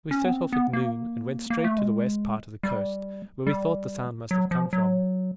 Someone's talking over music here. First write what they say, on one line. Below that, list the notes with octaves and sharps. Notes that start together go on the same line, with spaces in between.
We set off at noon, and went straight to the west part of the coast, where we thought the sound must have come from.
C#4
B3
C4
B3
A#3
A#3
A3
G#3
G3
G3
F#3
F3
F#3